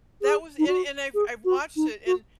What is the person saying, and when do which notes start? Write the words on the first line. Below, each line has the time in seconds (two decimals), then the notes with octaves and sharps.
That was and and I've I've watched it, and
0.22 G#4
0.59 D#4
0.68 F#4
1.15 G#4
1.45 F#4
1.76 D#4
2.07 F#4